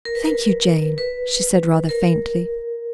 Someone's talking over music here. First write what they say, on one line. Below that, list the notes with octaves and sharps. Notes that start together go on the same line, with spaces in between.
"Thank you, Jane," she said rather faintly.
A#4
B4
A#4
B4
A#4